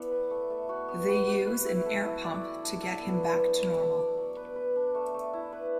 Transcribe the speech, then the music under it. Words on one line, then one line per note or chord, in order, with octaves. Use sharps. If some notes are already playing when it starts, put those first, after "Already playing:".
They use an air pump to get him back to normal.
Already playing: B3 E4 A4 D5
B4
A3
A3
F#4
B3
F#4
F#4
B4
E4
A4
E4
D5
D5
D4
A4
B3
B3
B3
B3
D4
D5
F#3
B4
B4
D4
A3
A3
E4
B4